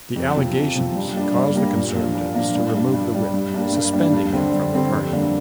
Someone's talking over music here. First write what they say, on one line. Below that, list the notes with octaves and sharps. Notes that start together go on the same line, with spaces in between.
The allegations caused the Conservatives to remove the whip, suspending him from the party.
F2
C3 F3
F2
C3 F3
G2
G3 A#3 D4
G2
G3 A#3 D4
A#2
F3 A#3 D4
A#2
F3 A#3 D4
G2
G3 D4
G2
G3 D4
G2
G3 A#3 D4
G2
G3 A#3 D4
G2
D3 G3 C4
G2
D3 G3 C4
F2
D3 G3 A#3 D4